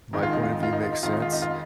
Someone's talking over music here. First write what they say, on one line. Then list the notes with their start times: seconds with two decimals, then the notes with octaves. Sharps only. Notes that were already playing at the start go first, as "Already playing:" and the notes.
my point of view makes sense?”
0.13 F2 D#3 G#3 D#4
0.23 F4
0.33 D#4
0.43 F4
0.53 D#4
0.63 F4
0.73 D#4
0.83 F4
0.92 D#4
1.03 F2 D#3 G#3 F4
1.13 D#4
1.22 F4
1.33 D#4
1.42 F4